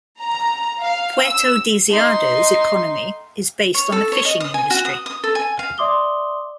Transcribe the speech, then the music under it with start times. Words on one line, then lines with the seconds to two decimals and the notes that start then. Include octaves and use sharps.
Puerto Deseado's economy is based on the fishing industry.
0.20 A#5
0.80 F5
1.22 E6
1.90 D#4 C6
3.74 C#5
3.92 A4
4.12 C#5
4.25 D#5
4.40 D#6
4.54 G#5
4.70 F#4
4.85 D#6
5.06 D#6
5.24 A4
5.35 G#5
5.59 F5
5.78 D5 E5 C6 D6 D#6 G7